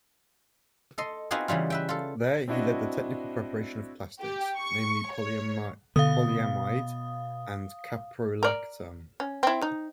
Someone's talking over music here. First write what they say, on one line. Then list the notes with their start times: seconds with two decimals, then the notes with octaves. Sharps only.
There he led the technical preparation of plastics, namely polyamide and caprolactam.
0.98 A4 D#5 C6
1.31 B3 C4 D#4 F4 F#4 G#4
1.48 C#3 E3 G3 F4
1.70 B4 E5 G5
1.89 F4 A4
2.48 C4 D4 E4 F#4 D#5
4.21 G4
4.58 C#6
5.13 C#5
5.96 B2 D3 B3 F5 D#6
8.43 A#4 D5
9.20 C#4
9.43 C4 E4
9.62 D#4